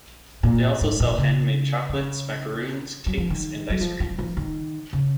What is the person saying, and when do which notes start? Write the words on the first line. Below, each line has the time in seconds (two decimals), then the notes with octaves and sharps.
They also sell handmade chocolates, macaroons, cakes, and ice cream.
0.43 A#2
0.81 G#2
1.00 A#2
1.18 C#3
1.89 D#3
1.93 C#3
3.06 F#3
3.18 F3
3.30 D#3
3.70 F#3
3.81 F3
4.00 F3
4.19 F3
4.37 D#3
4.93 C#3